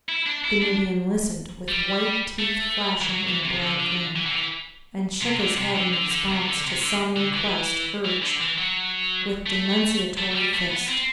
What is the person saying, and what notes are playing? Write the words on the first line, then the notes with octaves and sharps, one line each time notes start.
The Nubian listened with white teeth flashing in a broad grin, and shook his head in response to some request urged with denunciatory fist.
E4
D4
E4
D4
G3
A3
E3
F#3
E3
C3
D3
D3
E3
D3
E3
C3
D3
C3
D3
D3
D3
C3
D3
C3
D3
D3
E3
E3
D3
E3
F#3
A3
A3
A3
G3
A3
B3
C4